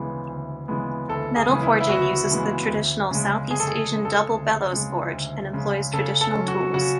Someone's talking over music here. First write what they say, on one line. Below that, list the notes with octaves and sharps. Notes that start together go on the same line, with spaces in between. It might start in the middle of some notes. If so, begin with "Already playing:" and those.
Metal forging uses the traditional Southeast Asian double-bellows forge, and employs traditional tools.
Already playing: D2 C#3 E3 G#3 B3
D2
C#3 E3 G#3 B3
D2 A4
G#4
C#3 E3 G#3 B3
E4
E4
D2 F#4
C#3 E3 G#3 B3
D2
C#3 G#3
D2 G#4
A4
G#4
C#3 G#3
A4
D2
C#3 G#3
D2
C#3 G#3
C#3 A4
A4
F#3 C#4
F#4
C#3 F#4